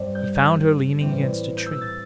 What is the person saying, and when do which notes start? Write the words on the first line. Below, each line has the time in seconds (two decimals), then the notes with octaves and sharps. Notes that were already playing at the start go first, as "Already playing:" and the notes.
He found her leaning against a tree.
Already playing: G2 G3 C4
0.15 G6
0.36 G6
1.00 A2 E3 G3 C4
1.57 G6
1.66 E6
1.81 A6